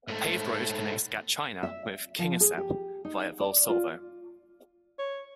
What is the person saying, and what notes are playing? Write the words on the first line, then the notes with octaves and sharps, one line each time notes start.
A paved road connects Gatchina with Kingisepp via Volosovo.
G#2 A3
E5
E5
F3
G#4
G4
D#4
D5
F4
C#5